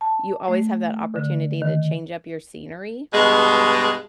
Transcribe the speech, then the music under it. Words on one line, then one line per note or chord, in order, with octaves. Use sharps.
you always have that opportunity to change up your scenery.
A5
A3
D3
D#3
G2 B2 G#3